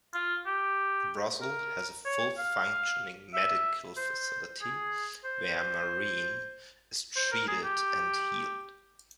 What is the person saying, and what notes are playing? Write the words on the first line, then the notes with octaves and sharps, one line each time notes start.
Her brothel has a fully functioning medical facility, where Maureen is treated and healed.
F4
G4
A#4
C#5
F5
E5
C5
G#4
C5
C5
A#4
G#4
G4